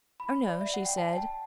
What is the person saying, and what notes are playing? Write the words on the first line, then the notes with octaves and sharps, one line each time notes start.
"Oh no," she said.
B5
D5
E5
F#5
G5
A5
G5
A5